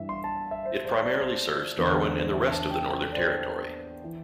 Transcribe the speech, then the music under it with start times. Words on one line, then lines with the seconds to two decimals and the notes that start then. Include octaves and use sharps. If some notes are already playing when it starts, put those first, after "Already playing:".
It primarily serves Darwin and the rest of the Northern Territory.
Already playing: G2 E3 E5
0.09 C6
0.24 A5
0.51 E5
0.65 C5
0.85 C5
1.02 D5
1.21 C5
1.77 E2 D3 C5
1.91 A4
2.14 A4
2.19 C5
2.33 E5
2.51 A5
2.71 G5
2.89 C5
3.03 A4
3.12 D5
3.17 C5
3.31 C5
4.04 E3